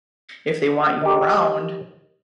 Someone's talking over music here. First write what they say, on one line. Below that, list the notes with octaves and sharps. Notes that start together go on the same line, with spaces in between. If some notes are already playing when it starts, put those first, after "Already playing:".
if they want you around,
D#3 D#4 G4